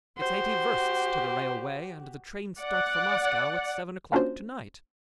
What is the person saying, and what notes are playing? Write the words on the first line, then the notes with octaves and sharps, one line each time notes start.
It's eighty versts to the railway and the train starts for Moscow at seven o'clock to-night.
F#4 G4 C5
D5 F#5
A#3 C#4 D4 F4 F#4 C5